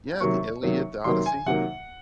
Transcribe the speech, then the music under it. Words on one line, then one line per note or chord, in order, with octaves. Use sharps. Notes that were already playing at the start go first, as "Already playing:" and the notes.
Yeah, the Iliad, the Odyssey.
C3 D#3 F#3 A#3 C#6
C3 D#3 F#3 A#3
C3 D#3 F#3 A#3 C6
G#5
C3 D#3 F#3 A#3 F#5